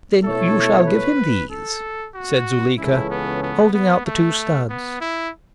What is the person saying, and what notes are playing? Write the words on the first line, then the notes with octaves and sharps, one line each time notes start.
"Then you shall give him these," said Zuleika, holding out the two studs.
B2 A3 E4 A4 C#5
B4
A4
F#4
C#2 C#3 E3 C#4 E4 A4
B3
B3
B3
A3
B3
E4